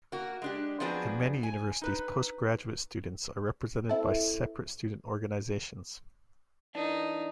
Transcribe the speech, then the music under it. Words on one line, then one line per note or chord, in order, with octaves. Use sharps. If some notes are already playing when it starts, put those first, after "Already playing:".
At many universities, postgraduate students are represented by separate student organisations.
A#3 F#4
G#3 D4 G4
F3 F#3 B3 C4 D4 G#4
G#5
D#4 B4
C4 E4 A4
E3 D4 D#4